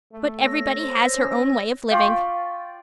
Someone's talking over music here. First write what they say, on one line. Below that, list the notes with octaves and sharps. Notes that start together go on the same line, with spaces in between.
But everybody has her own way of living . . .
A3
C#5 E6 A#6
C5
C#4
F4 D5 F5 G5 C#6